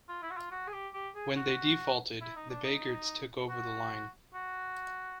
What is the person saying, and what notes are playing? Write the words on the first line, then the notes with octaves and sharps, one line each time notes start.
When they defaulted the Biegerts took over the line.
F4
E4
F#4
F4
F#4
G#4
G4
G4
G#4
F#4
E4
D#4
D4
D#4
F#4
F#4